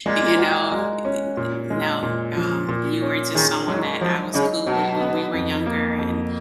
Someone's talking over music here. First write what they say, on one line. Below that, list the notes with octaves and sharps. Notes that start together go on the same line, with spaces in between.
you know, u n n no, um, you were just someone that I was cool with when we were younger and
A#2 G#3
F#4
G#3
C#4
A#2
G#3
A#2
F3
A#2
C#4
D#3 G#4
F#3 G#3
F3 F#3
C#3 D#4
B2 F#3
B3
F2
A#3
F2